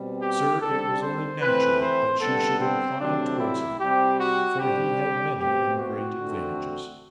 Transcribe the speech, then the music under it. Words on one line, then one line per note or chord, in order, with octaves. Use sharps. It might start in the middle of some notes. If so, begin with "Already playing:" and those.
'Sir, it was only natural that she should incline towards him, for he had many and great advantages.
Already playing: B2 G3 C4
G4
D3 G3 C4 A4
C5
E3 A3 C4 B4
C5
D3 G3 B3 A4
C4
C3 F#3 A3 C4 D4
E4
C3 G3 C4 G4
F#4
D3 G3 C4 G4
B2 A3 C4 G4
F#4
D3 A3 C4